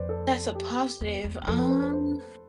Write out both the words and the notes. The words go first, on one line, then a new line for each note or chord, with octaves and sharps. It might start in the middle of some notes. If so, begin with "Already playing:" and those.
That's a positive. Um
Already playing: F2 B4 C5 D5
A4
G4
E2
E2
G2
F2 A4
B4
C5
C5
C5